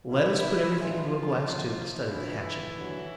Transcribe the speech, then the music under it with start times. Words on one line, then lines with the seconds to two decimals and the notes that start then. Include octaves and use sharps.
Let us put everything into a glass-tube to study the hatching.
0.10 A1 G#2 D#3 E3 F#3 E4
0.76 A#1 G#2 E3 F3 F4
1.42 A#1 A#2 F#3
2.08 D2 D3 E3 F3 E4
2.75 D#2 D3 F#3